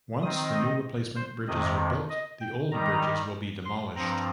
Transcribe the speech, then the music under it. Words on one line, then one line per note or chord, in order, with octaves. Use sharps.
Once the new replacement bridges are built, the old bridges will be demolished.
D#3 C4 D#4 D#6
D#5
C5
F2 C3 D#3 D#5
D#5
G5
D#3 G3 D#4 A#5
C6
G2 F3 C4 A#5